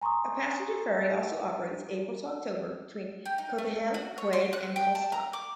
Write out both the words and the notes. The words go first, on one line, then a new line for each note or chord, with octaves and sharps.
A passenger ferry also operates April to October between Cotehele Quay and Calstock.
G#5 A#5 C6 C#6 D#6
G4
D#4
A3
F#4
C#5
C6
F#6
G5
A5
A#5
D6